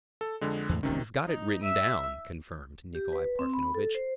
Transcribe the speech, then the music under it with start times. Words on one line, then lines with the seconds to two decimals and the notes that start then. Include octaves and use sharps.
"We've got it written down," confirmed Nikolay Parfenovitch.
0.21 A4
0.41 F2 D3 G#3
0.69 E2 A2
0.83 D#1 C#2 C3 D#3 C#4
1.25 D#4
1.63 E5
2.95 G4
3.13 B4
3.39 C4
3.54 B5
3.75 A4
3.95 C5